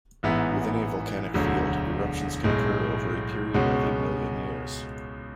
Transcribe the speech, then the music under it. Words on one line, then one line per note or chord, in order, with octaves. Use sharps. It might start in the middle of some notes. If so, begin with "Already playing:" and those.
Within a volcanic field, eruptions can occur over a period of a million years.
A1 G#2 E3 B3 E4
E1 D2 D3 F#3
B1 A2 G#3
C#2 B2 G#3 C#4 F#4